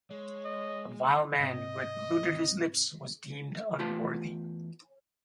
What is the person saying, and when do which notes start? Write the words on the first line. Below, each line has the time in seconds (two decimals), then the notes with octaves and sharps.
A vile man who had polluted his lips was deemed unworthy.
0.11 G#3 C#5
0.45 D#5
1.40 G#2 C3 C4 D#5
3.79 E2 A3 F4 G4 B4 A5